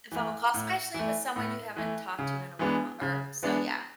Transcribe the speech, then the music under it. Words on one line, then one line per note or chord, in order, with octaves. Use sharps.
a phone call, especially with someone you haven't talked to in a while, or so, yeah.
E3 A3
A2
E3 A3
A2
E3 A3
C#3
E3 G#3 B3 D4
C#3
E3 G#3 B3 D4